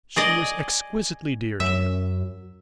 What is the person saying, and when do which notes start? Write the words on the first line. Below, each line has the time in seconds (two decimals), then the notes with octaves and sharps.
She was exquisitely dear to him.
0.16 G#4 D5 D#5
1.60 F#2 E5